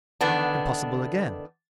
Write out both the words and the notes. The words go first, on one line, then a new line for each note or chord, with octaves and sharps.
Impossible again!
E2 D3 D#3 B3 D4